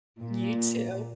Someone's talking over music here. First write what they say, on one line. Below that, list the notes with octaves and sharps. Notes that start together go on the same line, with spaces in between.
You too.
A#2